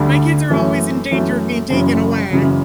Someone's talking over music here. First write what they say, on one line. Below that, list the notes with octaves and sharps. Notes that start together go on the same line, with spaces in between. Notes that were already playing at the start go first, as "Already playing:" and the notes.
My kids are always in danger of being taken away
Already playing: D2 D3 G3 D4
F#2 E3 A3
F#2 E3 A3
F#1 F#2 C#3 E3
F#1 F#2 C#3 E3